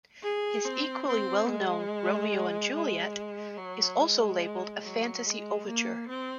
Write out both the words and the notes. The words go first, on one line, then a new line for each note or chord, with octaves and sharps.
His equally well-known "Romeo and Juliet" is also labelled a 'fantasy-overture'.
G#4
C4
C4
G#3
G#3
F#3
G#3
F#3
G#3
A#3
C4